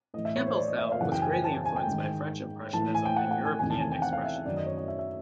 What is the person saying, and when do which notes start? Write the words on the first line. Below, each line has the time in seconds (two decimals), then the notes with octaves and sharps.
Campbell’s style was greatly influenced by French Impressionism and European Expressionism.
0.14 A2 D#5
0.17 E3
0.25 E5
0.36 C#5
0.47 C5
0.57 D5
0.68 D#5
0.78 E5
0.92 F5
1.00 F#2 C#3 E3 F#5
1.12 G5
1.21 G#5
1.33 G#5
1.44 A5
1.54 A5
1.66 G#5
1.76 G5
1.86 G#2 D#3
2.73 A2 E3 A5
2.95 G#5
3.05 G5
3.16 F#5
3.31 F#5
3.45 G#5
3.59 E2 C3 D#3 G#5
3.70 A5
3.81 G#5
3.92 G5
4.02 F#5
4.13 F5
4.24 E5
4.45 F#2 D#3 D5
4.57 D#5
4.67 C#5
4.77 D#5
4.88 E5
4.99 E5